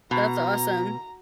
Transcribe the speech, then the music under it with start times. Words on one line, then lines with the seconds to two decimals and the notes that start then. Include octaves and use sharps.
that's awesome.
0.11 B2 A#5